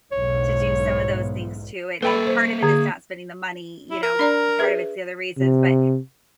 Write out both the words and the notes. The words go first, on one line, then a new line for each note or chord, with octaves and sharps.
to do some of those things too, and and part of it is not spending the money, you know, part of it's the other reasons, but
B1 E2 G#2 C#5
A#3 A4 B4 E5 G5 B5
C5
D3 G#4
E4
A#4
D4 D5 A#5
G#4 B4 E5
C3